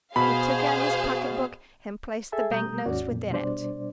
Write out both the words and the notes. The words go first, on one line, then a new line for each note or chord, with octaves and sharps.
He took out his pocket-book and placed the bank notes within it.
B2 G#4 C5 F5 B5
G#4 A4 E5 G#5 A5
B2 G3 A3 A#5 D#6 G6
D#2 G#2 C#4 F#4 D5
F2 A#2
B2 G3 D4 C5 D5